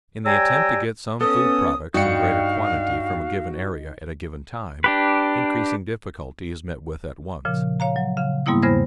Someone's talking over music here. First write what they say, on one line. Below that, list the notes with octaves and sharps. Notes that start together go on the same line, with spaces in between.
In the attempt to get some food-products in greater quantity from a given area at a given time, increasing difficulty is met with at once.
G3 C#5 G5 G#5 A#5 E6
B3 C#4 A4 D#6
G2 G3 D#4 F#4 F5 G5 C#7
D4 G4 B4
A#2 C#3 F3
C#5 F5 A#5
F#3
C#3 F5
G#2 G3 A#3 B3 E4 D#6
E2 C#3 C5 B5 G#6 A#6